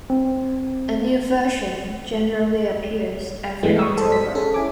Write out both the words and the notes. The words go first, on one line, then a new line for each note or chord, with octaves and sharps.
A new version generally appears every October.
C4
G2 E3 G#3 A3 B3
C#6 D#6 E6
A4 C5
B6
C#4 G#4 A4
E4 G#5 D6